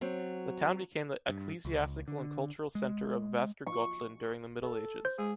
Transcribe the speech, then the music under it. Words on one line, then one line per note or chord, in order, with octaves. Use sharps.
The town became the ecclesiastical and cultural center of Västergötland during the Middle Ages.
F#3 C4
G2
C#2
D3
G#3
C#6
A4
C5 G6
G#3 G#4